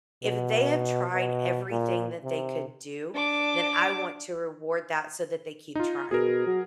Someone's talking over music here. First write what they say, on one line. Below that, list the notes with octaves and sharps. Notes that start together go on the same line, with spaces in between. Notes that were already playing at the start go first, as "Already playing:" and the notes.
if they have tried everything that they could do, then I want to reward that so that they keep trying.
B2
B2
A#2
C3
D4 D6
D#4 F4
B2 G#4 A#4
F#3